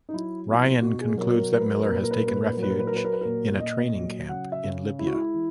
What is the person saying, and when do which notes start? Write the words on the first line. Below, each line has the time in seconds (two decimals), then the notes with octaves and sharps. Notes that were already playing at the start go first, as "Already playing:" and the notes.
Ryan concludes that Miller has taken refuge in a training camp in Libya.
0.09 D#4
0.13 F#3 E4
0.48 B2 E4
0.82 B2 F#4
1.01 G#4
1.17 F#3 A#4
1.34 A#4
1.53 F#3 A#4
1.61 B4
1.70 A#4
1.77 B4
1.85 A#2 A#4
1.94 B4
2.04 A#4
2.11 B4
2.20 A#2 A#4
2.28 B4
2.36 A#4
2.45 B4
2.53 A#4
2.57 F#3
2.63 B4
2.71 A#4
2.79 B4
2.87 A#4
2.91 F#3
2.96 B4
3.05 A#4
3.13 B4
3.21 A#2 A#4
3.59 A#2 D#5
3.95 F#3
4.29 C#3 F#5
4.52 E5
4.64 C#3
4.99 G#3 E4
5.07 F#4
5.14 E4
5.34 E3